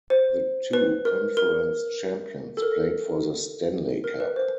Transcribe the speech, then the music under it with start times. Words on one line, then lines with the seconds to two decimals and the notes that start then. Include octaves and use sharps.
The two Conference Champions played for the Stanley Cup.
0.10 C5
0.73 B4
1.05 A#4
1.37 A#4
2.57 A4
2.62 A#4
4.04 A#4
4.20 B4
4.36 C5